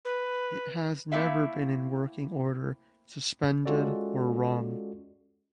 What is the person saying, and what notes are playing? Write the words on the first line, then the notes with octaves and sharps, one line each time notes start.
It has never been in working order, suspended, or rung.
B4
A3 A#3 C4 E4 E5 F5
G#3 C#4 F4 F#4 A4 D5